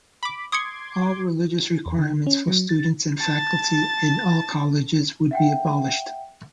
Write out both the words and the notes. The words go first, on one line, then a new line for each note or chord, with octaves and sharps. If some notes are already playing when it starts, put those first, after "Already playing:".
All religious requirements for students and faculty in all colleges would be abolished.
B5 D6
C6 D6 D#6 G#6 C#7
E2
D3
C#4
F#3
A6
A5 A6
E5 F#5 G5